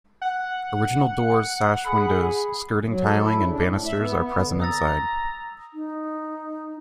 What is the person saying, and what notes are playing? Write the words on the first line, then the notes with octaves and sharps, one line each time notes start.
Original doors sash windows skirting tiling and banisters are present inside.
F#5
G#4 B5
F#3
A4
E4
C#3
D4
A2
E5
B3
B3
D3
A#5 D#6 E6 A6
D#4